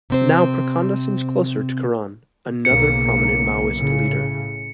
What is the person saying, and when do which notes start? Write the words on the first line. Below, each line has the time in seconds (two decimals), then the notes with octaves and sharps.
Now Prachanda seems closer to Kiran, another prominent Maoist leader.
0.10 C3 C4 C5
2.65 B1 C#3 A#3 C#7
3.74 A2 C#3